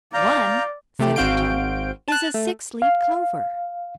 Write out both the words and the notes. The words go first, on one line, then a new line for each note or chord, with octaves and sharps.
"One," said Ojo, "is a six-leaved clover."
D5 F5 A#5 G6
C3 A3 G4
G#1 C4 F#4 F5 G6 D7
A5 F#6
A3
F5